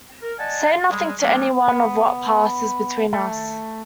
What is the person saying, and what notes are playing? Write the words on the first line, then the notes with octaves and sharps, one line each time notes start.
Say nothing to any one of what passes between us.
A#4
D5 D#5 F#5 G#5 A5
G3 G#3
F#3 A3 B3 C#4 D4
B3
A3